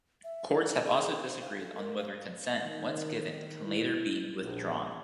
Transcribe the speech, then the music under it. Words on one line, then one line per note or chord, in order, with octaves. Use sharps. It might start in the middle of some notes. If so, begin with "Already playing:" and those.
Courts have also disagreed on whether consent, once given, can later be withdrawn.
E5
E4
D#4
G#4
D#4
C5
F5
A4
A#4
F5
D#3
E4
A#1